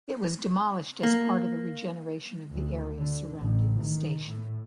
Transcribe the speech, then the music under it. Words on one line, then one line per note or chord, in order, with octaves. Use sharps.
It was demolished as part of a regeneration of the area surrounding the station.
A#3
D2
D3
A1
D#3
A2